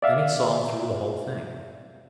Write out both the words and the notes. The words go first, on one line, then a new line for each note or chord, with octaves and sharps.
Then he saw through the whole thing.
D5 E5 F5